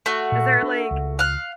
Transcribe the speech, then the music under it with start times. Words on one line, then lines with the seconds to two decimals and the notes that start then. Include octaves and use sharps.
is there, like,
0.06 A3 F#4
0.32 A#2
0.63 D4
0.91 C#2
1.19 F5 F#6